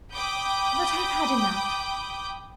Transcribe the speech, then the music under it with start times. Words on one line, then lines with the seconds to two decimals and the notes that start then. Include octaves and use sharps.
But I've had enough.
0.14 G5 B5 D6 D#6 G6